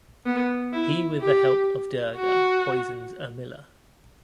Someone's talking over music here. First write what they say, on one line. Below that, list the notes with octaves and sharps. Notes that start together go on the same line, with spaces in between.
He with the help of Durga poisons Urmila.
B3
E4
G4
F#4